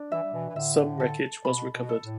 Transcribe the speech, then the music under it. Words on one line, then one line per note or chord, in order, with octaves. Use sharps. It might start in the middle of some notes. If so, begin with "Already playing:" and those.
Some wreckage was recovered.
Already playing: D4
E3 E5
G3
B2 E3
E3
A2 D3 E5
A4
B2 B5
B2
A4
A2